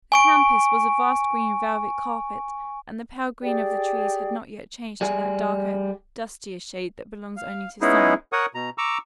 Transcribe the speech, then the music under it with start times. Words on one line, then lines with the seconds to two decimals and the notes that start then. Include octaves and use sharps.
The campus was a vast green velvet carpet and the pale green of the trees had not yet changed to that darker, dustier shade that belongs only to summer.
0.12 G#5 C#6 D7
3.42 G4 G#4 D5 G5
5.01 G3 G#4 G#5
7.37 F5
7.81 G#3 B3 C#4 D#4 E4 G#4
8.33 A#4 C#5 F#5 C#6 D#6
8.55 B2 A#5
8.78 A#5 C#6 D6 E6